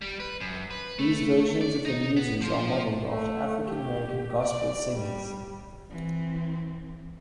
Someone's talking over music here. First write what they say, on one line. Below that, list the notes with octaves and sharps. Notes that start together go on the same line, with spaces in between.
These versions of the Muses are modeled after African American Gospel singers.
G3
B4
F#2
B4
A3
D5
D#4
B3
F3
A3
G4
D5
G3
E3 C4